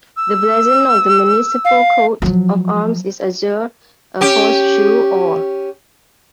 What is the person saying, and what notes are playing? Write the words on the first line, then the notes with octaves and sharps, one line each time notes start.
The blazon of the municipal coat of arms is Azure, a Horse-shoe Or.
E6
F5
F3 F#3
C#4 G4